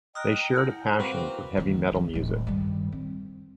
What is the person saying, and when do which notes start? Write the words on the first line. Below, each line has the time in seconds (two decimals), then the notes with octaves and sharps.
They shared a passion for heavy metal music.
0.15 D#5 G5 A#5 D#6 F6 F#6
0.40 A#5
0.54 E4 F#5 G6 C#7
0.99 A#3 C4 F#4 B4
1.27 A#5
1.57 D2 D#3
1.92 E3 B3
2.13 D1 G#3
2.47 G2 D#3
2.92 C4